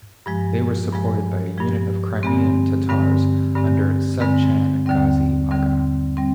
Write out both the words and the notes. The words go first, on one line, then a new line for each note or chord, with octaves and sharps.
They were supported by a unit of Crimean Tatars, under Subchan Ghazi Aga.
G2 F3 G#3
G2 F3 G#3
G2 F3 G#3
G2 D3 G#3 C4
G2 D3 G#3 C4
G2 D3 G#3 C4
G2 D3 G#3 C4
D#2 D3 G3 C4
D#2 D3 G3 C4
G3 C4